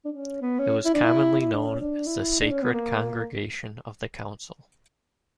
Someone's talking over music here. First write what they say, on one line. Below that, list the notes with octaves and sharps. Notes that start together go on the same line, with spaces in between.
It was commonly known as the Sacred Congregation of the Council.
D4
C#4
B3
C#4
E4
D4
E4
E4
D4
C#4
D4
E4
D4
C#4
B3
A#3